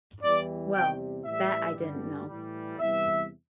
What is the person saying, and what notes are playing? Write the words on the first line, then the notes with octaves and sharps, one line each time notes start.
Well, that I didn't know.
E2 E3 G3 D5
E2 C3 G3 G5
A2 E3 G3 E5
G2 D3 G3
A2 E3 G3
E2 C3 E3 G3 E5